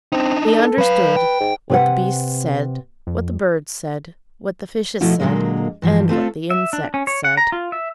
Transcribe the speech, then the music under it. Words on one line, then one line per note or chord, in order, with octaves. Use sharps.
He understood what the beasts said, what the birds said, what the fishes said, and what the insects said.
C4 D4 D#4
A4
F#3 B4 F5
G5
G#2
C3 B4 F#5
F2
B2 F3 A3 E4 F#4
A#2 D3 F#3 G#3 A#3
G2 E3 F3
A3 C4 F4 A4
E5
D4
C#4
C#5
F#5
A#5
F4
E5